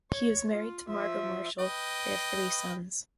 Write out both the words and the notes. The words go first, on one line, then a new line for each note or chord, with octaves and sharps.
He is married to Margot Marshall; they have three sons.
C#5
F4
F3 E5
B4 D#5 G5